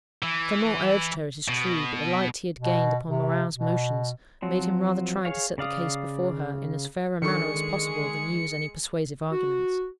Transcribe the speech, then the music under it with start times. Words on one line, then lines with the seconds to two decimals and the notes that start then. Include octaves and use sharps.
Clement urged her, it is true; but the light he had gained upon Morin's motions, made him rather try to set the case before her in as fair a manner as possible than use any persuasive arguments.
0.23 E3
1.48 B2
2.59 B2
3.08 C3
3.55 B2
4.42 F3 F#3 C4
5.25 G#4 C#5 F5
5.58 C#3 D5 F5 D#6
7.22 D#3 G#3 D4 G#4 A4 C#6 C#7
9.32 F#4